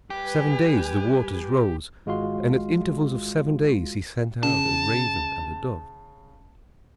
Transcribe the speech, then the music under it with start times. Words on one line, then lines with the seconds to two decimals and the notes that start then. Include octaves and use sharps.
Seven days the waters rose, and at intervals of seven days he sent out a raven and a dove.
0.10 G3 G4 B4 G#5
2.06 G#1 G#3 F4 F#4 F5 C6
4.43 C#3 A5